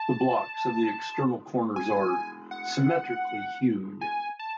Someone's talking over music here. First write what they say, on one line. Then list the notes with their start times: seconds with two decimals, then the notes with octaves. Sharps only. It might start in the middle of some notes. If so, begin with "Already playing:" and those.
The blocks of the external corners are "symmetrically hewed".
Already playing: A5
1.76 G#5
2.51 F#5
4.01 G#5
4.39 A5